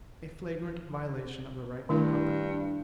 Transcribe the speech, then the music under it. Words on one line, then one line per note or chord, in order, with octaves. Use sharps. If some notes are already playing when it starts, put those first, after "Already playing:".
A flagrant violation of the right of property.
G2 D#3 A3 E4